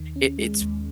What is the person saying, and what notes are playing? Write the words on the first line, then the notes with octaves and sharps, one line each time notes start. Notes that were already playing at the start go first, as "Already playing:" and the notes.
it it's
Already playing: D#2 D#3
C#4
G#3
D#2